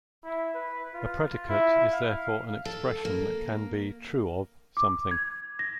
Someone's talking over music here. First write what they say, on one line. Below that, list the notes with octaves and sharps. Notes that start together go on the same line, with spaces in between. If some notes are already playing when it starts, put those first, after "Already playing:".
A predicate is therefore an expression that can be "true of" something.
E4
B4
F4
E4
F5
A4
A#3
D6
G#6
A#6